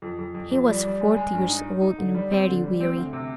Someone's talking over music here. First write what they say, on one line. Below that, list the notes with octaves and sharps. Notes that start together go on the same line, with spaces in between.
He was forty years old and very weary.
F2
F2
F2
F2
G3
G3
G#3
G#3
G2
D#4
D#4
D#4
D3
G3
C4
D3
G3
C4
D2
C3